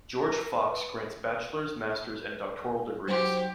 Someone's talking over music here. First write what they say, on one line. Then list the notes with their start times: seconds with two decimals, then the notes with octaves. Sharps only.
George Fox grants bachelor's, master's, and doctoral degrees.
0.23 A#4
0.54 B4
3.07 F#3 D#4 G4 C5 C6